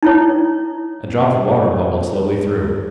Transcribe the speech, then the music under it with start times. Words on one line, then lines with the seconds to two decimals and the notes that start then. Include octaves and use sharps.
A drop of water bubbled slowly through.
0.03 D#4 E4 C#5